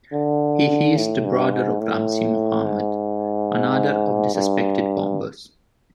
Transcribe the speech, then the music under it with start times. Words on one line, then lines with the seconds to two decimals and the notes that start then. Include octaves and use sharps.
He is the brother of Ramzi Mohammad, another of the suspected bombers.
0.12 D3
0.97 A2
1.25 G2
1.53 G#2
1.80 A2
2.65 G#2
4.34 G2